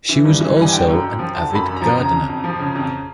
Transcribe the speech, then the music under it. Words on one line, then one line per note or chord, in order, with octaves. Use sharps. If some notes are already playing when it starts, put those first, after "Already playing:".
She was also an avid gardener.
E3
G2
E3
G2
G#5
D3 G5
F#2
F#2
F3
D3 A5
F#2 B5
F#2
A#5
F3
C#3 A#5
F2
F2
F3
C#3
F2